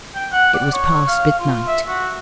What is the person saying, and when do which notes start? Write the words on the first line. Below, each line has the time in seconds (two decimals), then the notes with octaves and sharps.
It was past midnight.
0.15 G5
0.32 F#5
0.54 D5
0.73 C#5
1.08 F5
1.39 F4
1.67 E5
1.88 F#4